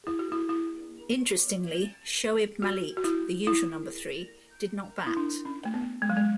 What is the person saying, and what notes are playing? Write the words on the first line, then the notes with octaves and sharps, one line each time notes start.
Interestingly, Shoaib Malik - the usual number three - did not bat.
E4
F#4
E4
E4
F#4
F#4
E4
E4
E4
D4
C#4
A3
B3
G#3
F#3
G#3